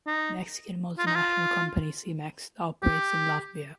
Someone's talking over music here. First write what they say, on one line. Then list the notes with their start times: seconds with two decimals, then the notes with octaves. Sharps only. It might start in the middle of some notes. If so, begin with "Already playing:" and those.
Mexican multinational company Cemex operates in Latvia.
0.07 D#4
0.98 F4
1.07 D#4
1.15 F4
2.82 G4